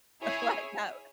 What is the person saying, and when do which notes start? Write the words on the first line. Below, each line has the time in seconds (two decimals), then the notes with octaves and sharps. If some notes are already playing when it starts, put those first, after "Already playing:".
like, have
0.22 E4 G#4 C#5 G#5